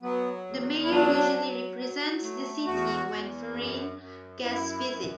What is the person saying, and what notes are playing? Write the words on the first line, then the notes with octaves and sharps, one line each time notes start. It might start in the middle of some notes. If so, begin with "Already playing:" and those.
The mayor usually represents the city when foreign guests visit.
F#3 B3
E2
E4
F#3 D4
F#3
F#3
A3
E2 F#4
E2
F#2
F#2
F#2 E4
F#2